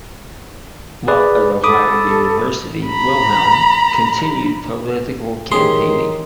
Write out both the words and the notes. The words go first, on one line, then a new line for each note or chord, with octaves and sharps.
While at Ohio University, Wilhelm continued political campaigning.
G#4 B4 D5
A4 B5 D6 D#6
A#5 B5
D#3 E3 C#4 G4 G#4 C6